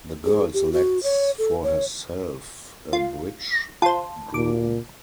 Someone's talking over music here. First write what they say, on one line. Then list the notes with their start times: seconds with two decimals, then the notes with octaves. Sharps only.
The girl selects for herself a bridegroom.
0.25 G#4
0.54 G4
0.72 F#4
1.03 C#5
1.38 A4
1.63 C#5
2.93 F4
3.82 F4 C5 A5
4.34 A#2 D6